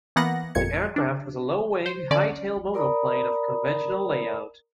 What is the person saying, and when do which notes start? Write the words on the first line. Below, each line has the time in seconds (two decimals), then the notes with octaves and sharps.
The aircraft was a low-wing, high-tail monoplane of conventional layout.
0.16 E3 A#3 B3 F#5 A#6
0.55 G1 F2 A#2 G#6 C#7
0.96 D4
1.86 C5
2.11 D3 C#4 D5
2.74 A#4 D5 A#5 B5 D#6